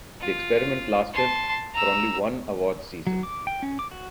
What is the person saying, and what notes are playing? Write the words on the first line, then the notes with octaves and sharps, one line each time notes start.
The experiment lasted for only one awards season.
F4
A5 C6
A#5 E6
F#3
D6
G5
C#4
D6
F#4